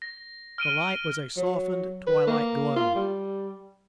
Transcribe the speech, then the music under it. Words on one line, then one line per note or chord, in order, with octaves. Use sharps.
The light was a softened twilight glow.
A#6
F6 D7 D#7 G7
F#3
B4
A#3
F4
G3